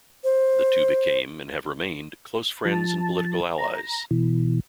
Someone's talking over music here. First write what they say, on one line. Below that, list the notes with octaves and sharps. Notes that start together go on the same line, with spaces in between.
The two became, and have remained, close friends and political allies.
C5
F3 A5
A#5
B2 E3